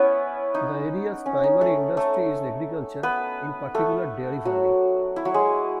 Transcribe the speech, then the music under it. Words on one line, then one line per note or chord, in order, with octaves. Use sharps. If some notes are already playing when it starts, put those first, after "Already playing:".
The area's primary industry is agriculture in particular dairy farming.
Already playing: B3 C#4 E4 B4 C#5
D#4
C#4
D#4
A3 A4
A3 A4
B3 B4
A3 A4
F#3 F#4
E4
F#3 F#4
G#3 G#4